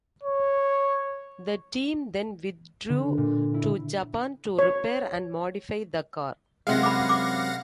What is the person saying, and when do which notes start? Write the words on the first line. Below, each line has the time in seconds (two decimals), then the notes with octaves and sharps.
The team then withdrew to Japan to repair and modify the car.
0.23 C#5
2.89 D3
3.17 A#2
3.54 E4
4.59 C#5
6.67 F#2 C3 G#3 F5 F#5 A#6
6.83 B5 D6
7.09 D6